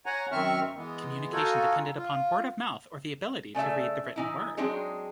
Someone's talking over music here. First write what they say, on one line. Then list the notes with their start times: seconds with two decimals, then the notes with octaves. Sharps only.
Communication depended upon word-of-mouth or the ability to read the written word.
0.06 C#5 F#5 G#5 A#5
0.32 F#2 D#3 C4 E5 C#6 F6
0.76 E3 G#3 B3
1.32 D#4 F4 F#4 A4 G#5
1.98 F4
3.55 C#3 A3 D5 E5
4.16 E3 D#4 E4
4.57 F#3 G#3 C4 D4 D#4 G#4